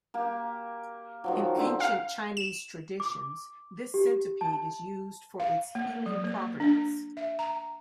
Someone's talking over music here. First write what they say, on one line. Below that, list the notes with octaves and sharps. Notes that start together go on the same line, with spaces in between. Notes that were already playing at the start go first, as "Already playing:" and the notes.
In ancient Chinese traditions, this centipede is used for its healing properties.
A#3 G4
D#3 F3 F#3
D3 C4 F#5
F5
E7
D6
G4
A5
F5
A#3
F#3
A#3
D4
E5
A#5